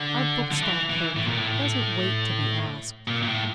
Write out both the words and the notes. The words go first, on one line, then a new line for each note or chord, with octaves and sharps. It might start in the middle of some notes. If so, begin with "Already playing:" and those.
Our bookstall clerk doesn't wait to be asked.
Already playing: D3
D3
E3
E3
A2
A#2
A2
A#2
A#2
A2